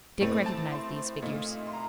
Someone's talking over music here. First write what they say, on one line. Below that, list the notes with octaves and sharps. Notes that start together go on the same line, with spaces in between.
Dick recognized these figures.
A2 A3 C4
A5
C6
A#2 A3 D#4
C6
A#5